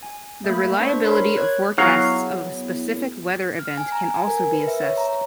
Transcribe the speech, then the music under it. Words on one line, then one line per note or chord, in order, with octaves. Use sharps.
The reliability of forecasts of a specific weather event can also be assessed.
G#5
A3 A#3 B5
D4 C5 C#6
A#4 C#5 B5 C6
C#5 F#6 G#6
F#3 B3 E4 G#4 F5
F6
G#5
A#5
G#5
A#4
B4
E5
C#5
A#5